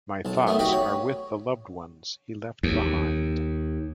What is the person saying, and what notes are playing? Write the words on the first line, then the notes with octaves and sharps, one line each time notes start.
My thoughts are with the loved ones he left behind.
B1 A5
D#3 A3 B3
D#4 F#4 G4 B4 D5
C#5
D#2